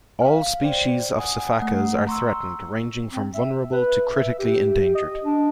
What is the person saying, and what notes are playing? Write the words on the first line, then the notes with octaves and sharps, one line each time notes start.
All species of sifakas are threatened, ranging from vulnerable to critically endangered.
F5 F6
C5 D5 G5
F#5 G#5 D#6
A3 F#5
A#5 C6 C#6 E6
C4
E5
B4
E5
G4
D#5
D4